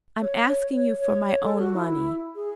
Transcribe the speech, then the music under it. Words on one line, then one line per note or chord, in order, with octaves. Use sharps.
'I'm asking you for my own money.
C#5
C#5
C#5
C#5
C#5
A4
F#4
E4
G#4